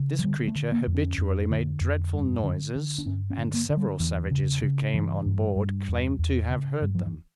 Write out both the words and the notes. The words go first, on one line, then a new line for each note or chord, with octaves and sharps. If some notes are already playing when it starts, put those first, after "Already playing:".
This creature habitually made dreadful noises, and several savages who came on board claimed to have heard them.
Already playing: C#3
F3
D3 G3
A3
D3
A#3
F2
C#4
F2
D3
F2
G2
D3
D3
D4
G2 C#4
C#4
D3
A#3
D3
G3
E2 E3
C#3
C#3
G2 E3
G2
G2
E2
E2
C#3
G2 G3
F3
E3